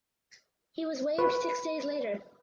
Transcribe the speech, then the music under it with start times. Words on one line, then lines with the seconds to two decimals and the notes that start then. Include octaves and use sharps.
He was waived six days later.
1.18 B4